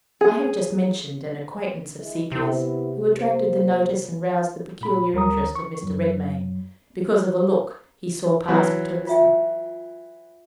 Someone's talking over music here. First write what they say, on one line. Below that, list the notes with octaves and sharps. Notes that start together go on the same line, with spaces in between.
I have just mentioned an acquaintance of Sepia's, who attracted the notice and roused the peculiar interest of Mr. Redmain, because of a look he saw pass betwixt them.
G#4
G#3 E4
C3 B3 E4
A#3 C5
A#2 B5
D2 G3 A#4 A#5 D#6
D#3
C#6
F#2 F#3
E3 F#3 F#4
F4 E5 G5